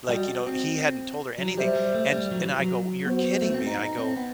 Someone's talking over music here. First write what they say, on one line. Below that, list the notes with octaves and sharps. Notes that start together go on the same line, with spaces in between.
Like, you know, he hadn't told her anything, and sh and I go, "You're kidding me?" I go,
G3 F#4 A4 D#5 G5
C4
F#3
G3 G4 C5 E5
G3
A3
G3
F#3
E3
F#3
B3 F#4 C5
A3
C4
D#4
D#4
C4
B3